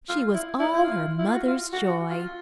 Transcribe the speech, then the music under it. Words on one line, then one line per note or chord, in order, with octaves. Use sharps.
She was all her mother's joy.
F4
E4
E4
E4
F4
E4
F4
F#4
F4
F#4
F#4
F4